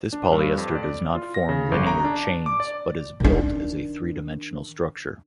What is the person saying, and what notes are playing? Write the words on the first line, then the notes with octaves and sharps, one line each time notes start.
This polyester does not form linear chains, but is built as a three-dimensional structure.
D4
G2
F2
D5
F4
A#6
C#3
G1
A#5
D4
D6
D5
D#3 D4